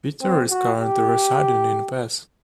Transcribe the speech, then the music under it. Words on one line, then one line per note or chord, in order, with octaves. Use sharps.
Peter is currently residing in Perth.
C4
F#4
G4